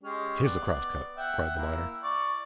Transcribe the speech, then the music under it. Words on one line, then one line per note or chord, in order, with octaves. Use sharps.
"Here's the cross cut," cried the miner.
G#3 C#4 G4
B3 D5
E5 F#5 G5
A#3 E4 E6
D5 C#6